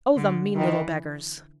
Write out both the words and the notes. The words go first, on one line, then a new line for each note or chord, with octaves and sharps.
"Oh, the mean little beggars!"
D3
D#3 E3